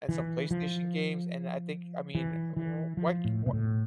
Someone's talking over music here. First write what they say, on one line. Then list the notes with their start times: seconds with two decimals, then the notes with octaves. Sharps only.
and some PlayStation games, and I think I mean, w why c wha
0.09 E3
0.51 F3
2.15 E3
2.56 E3
2.97 F3
3.25 A2
3.46 B2
3.53 A2